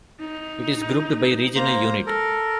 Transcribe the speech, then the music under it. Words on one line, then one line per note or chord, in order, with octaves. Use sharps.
It is grouped by regional unit.
D#4
A#3 C5 A#5
A4 A#4